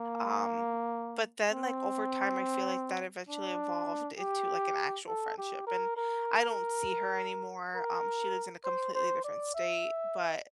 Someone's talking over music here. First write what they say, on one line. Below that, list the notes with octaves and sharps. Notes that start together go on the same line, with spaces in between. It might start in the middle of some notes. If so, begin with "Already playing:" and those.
Um, but then, like, over time, I feel like that eventually evolved into, like, an actual friendship. And I don't see her anymore; um, she lives in a completely different state, but
Already playing: A#3
C4
D4
G4
A4
G4
A#4
A#4
A#4
C5
C5
D5
E5